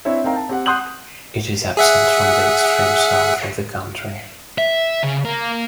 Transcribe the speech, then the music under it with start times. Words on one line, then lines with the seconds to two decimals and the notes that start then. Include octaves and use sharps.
It is absent from the extreme south of the country.
0.05 C4 D4 E4 C#5 E5
0.24 C4 D#4 A#4 F5 G5 A#5
0.36 A5
0.49 C4 G4 F#5
0.66 F#5 C6 D#6 F#6 G6 F#7
1.77 G#4 E5 F#5
4.58 E5
5.03 C#3
5.25 A#3